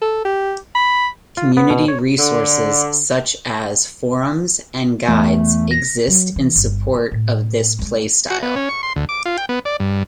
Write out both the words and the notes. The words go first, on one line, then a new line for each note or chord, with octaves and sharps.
Community resources such as forums and guides exist in support of this play style.
A4
G4
B5
F4
B3
B2
C#5
D3
E2 A3
A#6
F#3
E3
G1
D3
A2
G3 G#3
F#4
B3
C#4
C#6
C6
D2
D6
F4
G5
B3
D5
G2